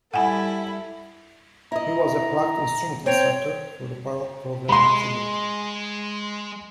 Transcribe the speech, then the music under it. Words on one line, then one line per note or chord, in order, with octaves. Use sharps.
He was a plucked instrument instructor for the Baroque program at Juilliard.
G3 E4 A4 F#5 G#5
E4 D#5 A#5
C4 C#5 G5
G#3 B5 C6